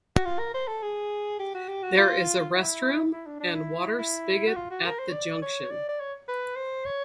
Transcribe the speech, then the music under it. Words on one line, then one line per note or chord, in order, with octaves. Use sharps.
There is a restroom and water spigot at the junction.
F#4
F4
A#4
C5
A4
G#4
G4
F#4
G4
F#4
F4
E4
E4
D4
D4
E4
E4
F#4
F4
F#4
A#4
C5
C#5
D5
C#5
D5
D5
C#5
B4
C5
C#5